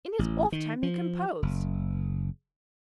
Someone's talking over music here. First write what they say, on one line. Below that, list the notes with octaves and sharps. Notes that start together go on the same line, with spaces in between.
'In his off time, he composed.
A1
D#3
F3
F#1